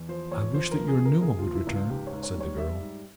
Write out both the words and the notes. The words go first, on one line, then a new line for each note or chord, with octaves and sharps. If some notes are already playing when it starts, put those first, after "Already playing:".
"I wish that your Numa would return," said the girl.
Already playing: E2
F3 C5
E2 C#5
F3 C5
A#4
C#2
G#4
C3
A#4
C#2 G#4
F4
F3
E4
C#2
F4
G#2 G4
C#5
G#2
C#5
G3
C#5
G3 E5
G#2